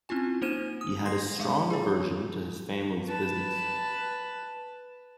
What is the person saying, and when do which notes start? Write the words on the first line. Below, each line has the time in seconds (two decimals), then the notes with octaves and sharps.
He had a strong aversion to his family's business.
0.09 C4 C#4 E4 F4 G#5
0.42 A#3 D#4 C5 F6 D#7 E7
0.81 D#6
1.05 C6 G6 G#6 A#6 C7
1.40 G#3 F5 D6
1.70 G#4 C#5
3.08 B4 A5